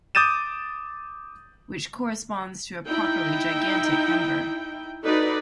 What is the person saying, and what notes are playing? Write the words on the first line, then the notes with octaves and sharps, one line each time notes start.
Which corresponds to a properly gigantic number.
D6 D#6 G6 A6 D#7 E7
D#4 E4 G5
D#4 F#4 A4 B4 D5